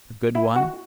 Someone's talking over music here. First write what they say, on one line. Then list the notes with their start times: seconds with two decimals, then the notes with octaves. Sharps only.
A good one?
0.35 E4
0.56 F#4